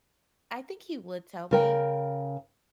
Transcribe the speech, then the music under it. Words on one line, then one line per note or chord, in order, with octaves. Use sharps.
I think he would tell me.
C#3 A#4 G5